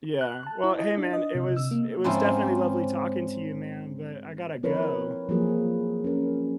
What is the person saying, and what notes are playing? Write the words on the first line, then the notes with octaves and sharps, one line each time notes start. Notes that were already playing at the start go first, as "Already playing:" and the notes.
Yeah. Well, hey, man, it was it was definitely lovely talking to you, man, but I gotta go.
F#6
A5
E4
D#5
D4
D#5
C3
E6
A#3
G#2 F3 C4 C#4 E4
F3 C4 E4 A#4 B4 C#5
F3 F#3 A#3 G#4 A#4
C#4 A#4